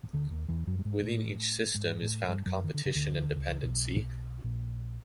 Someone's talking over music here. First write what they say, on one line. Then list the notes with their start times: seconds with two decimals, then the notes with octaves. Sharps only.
Within each system is found competition and dependency.
0.13 D2 D3
0.31 D#2 D#3
0.48 E2 E3
0.67 F#2 F#3
0.79 G3
0.85 G#2 G#3
1.02 A2 A3
1.74 G#2 G#3
2.02 A2 A3
2.28 G2 G3
2.46 F#2 F#3
2.64 D#3
2.74 D3
2.86 C#3
2.95 D2 D3
3.36 C#2 C#3
3.63 B1 B2
4.44 A#1 A#2